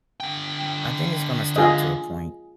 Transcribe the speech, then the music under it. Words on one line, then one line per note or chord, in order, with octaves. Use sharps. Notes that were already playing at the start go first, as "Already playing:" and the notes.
I think it's gonna stop to a point
D3 G5
F4 G#4 D#5